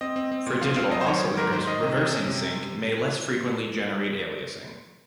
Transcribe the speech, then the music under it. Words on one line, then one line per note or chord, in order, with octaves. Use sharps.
For digital oscillators, Reversing Sync may less frequently generate aliasing.
C4 D#5
C4
C4
A#2
F3 F5
C4 F5
F#3 D#5
C5
D#3 C#5
F#3
G#2 A#4
D#3 C5
D#3 D#5
C3
C3
C#4
C3
C3